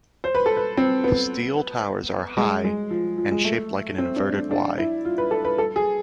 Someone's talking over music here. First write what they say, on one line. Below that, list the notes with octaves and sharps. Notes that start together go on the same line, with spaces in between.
The steel towers are high and shaped like an inverted Y.
C5
B4
A4
B4
C4
B3
G#3
G#3
F3
F3
G#3
A3
C4
D4
D4
D4
E4
F4
B4
A4
B4
A4
G#4